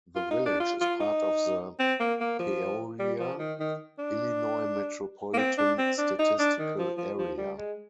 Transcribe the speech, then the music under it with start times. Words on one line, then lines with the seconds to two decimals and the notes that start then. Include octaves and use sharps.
The village is part of the Peoria, Illinois Metropolitan Statistical Area.
0.16 F4
0.31 D#4
0.46 D4
0.60 F4
0.81 F4
1.00 D#4
1.80 C4
2.00 A#3
2.21 A#3
2.39 F3
3.00 G3
3.20 F3
3.39 D#3
3.60 D#3
3.99 D4
5.34 A#3
5.39 C4
5.58 D4
5.78 C4
5.99 D4
6.19 D#4
6.39 D4
6.59 D#3
6.79 F3
6.98 F3
7.18 F3
7.38 G3
7.58 G#3